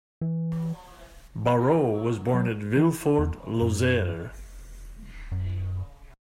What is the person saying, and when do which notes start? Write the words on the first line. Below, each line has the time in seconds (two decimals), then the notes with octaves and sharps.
Barrot was born at Villefort, Lozère.
0.21 E3
2.34 F#3
2.76 E3
3.19 E2
3.62 F#2
5.32 F#2